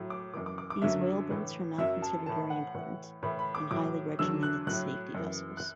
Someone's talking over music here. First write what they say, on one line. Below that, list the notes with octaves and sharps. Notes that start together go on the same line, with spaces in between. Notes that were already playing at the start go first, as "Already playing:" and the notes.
These whaleboats are now considered very important, and highly regimented safety vessels.
Already playing: A2 F#3
D6
F#2 E3 D6
D6
D6
D6
F#2 D3 F#3 E5
A2 E3
F#2 F#3 E5
A5
A2 E3 A5
F#5
A2 E3
A2 E3 B5
B5
D6
A2 F#3 D6
E2 D3 F#3 E6
F#6
A2 F#3 F#6
F#2
E3
F#6